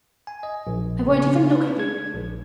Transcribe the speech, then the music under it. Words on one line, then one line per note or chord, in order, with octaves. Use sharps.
I won't even look at you.
G#5
D#5
A#1
C#3
B4
D4
G#6
A#1